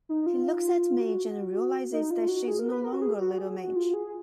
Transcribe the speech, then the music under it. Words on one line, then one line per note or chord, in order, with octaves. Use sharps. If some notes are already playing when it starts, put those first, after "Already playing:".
He looks at Midge and realises that she is no longer "little Midge".
D#4
F4
F#4
D#4
F4
F#4
G#4
A#4
B4
A#4
F#4
G#4
F#4
G#4
F#4
F4
G#4